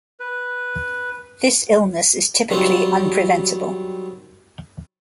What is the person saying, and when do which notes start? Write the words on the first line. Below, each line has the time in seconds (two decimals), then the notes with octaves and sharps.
This illness is typically unpreventable.
0.20 B4
2.50 D#3 F#3 G3 C4 F4